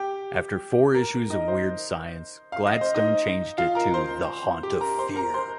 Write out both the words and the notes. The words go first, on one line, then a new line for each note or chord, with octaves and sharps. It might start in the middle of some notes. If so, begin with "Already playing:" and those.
After four issues of "Weird Science", Gladstone changed it to "The Haunt of Fear".
Already playing: G4 G5
A#4
D#4 D#5
C5
F5
D#5
C5
D#4 D#5
F4 F5
A#4 A#5
C5 C6
G4 G5
A#4 A#5
C5 C6
A#4 A#5
C5 C6